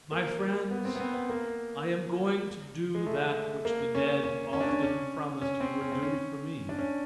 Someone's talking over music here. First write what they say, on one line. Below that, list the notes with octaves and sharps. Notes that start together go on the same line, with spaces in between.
My Friends: I am going to do that which the dead often promised he would do for me.
A#3
B3
C4
B3
C4
B3
A#3
G#3
A3
A#3
C#4
C#4
C#4
D4
C#4
C#4
C#4
C4
C#4
C4
C#4
D4
C#4